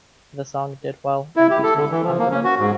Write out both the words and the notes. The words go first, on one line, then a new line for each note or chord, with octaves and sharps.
The song did well, and boosted his confidence.
E4
G4
A4
D3
E3
F3
A#3
C#4
F#4
G#2